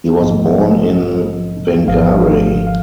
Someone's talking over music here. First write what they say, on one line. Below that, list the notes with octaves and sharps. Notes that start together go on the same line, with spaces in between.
He was born in Whangarei.
A#1 G#2 F3 D#5
G#1 G#2 F3 F5
F5